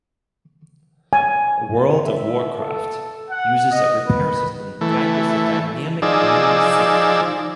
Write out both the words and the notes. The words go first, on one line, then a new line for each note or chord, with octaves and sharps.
"World of Warcraft" uses a repair system to act as a dynamic money sink.
G#5
E5
A4
F#5
D#5
B4
E3 A3
F3 D#4 G#4 D5 E6